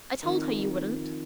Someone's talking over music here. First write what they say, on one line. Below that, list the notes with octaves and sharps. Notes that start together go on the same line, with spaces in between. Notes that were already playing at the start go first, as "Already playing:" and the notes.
I told her you wouldn't.'
F2 D#3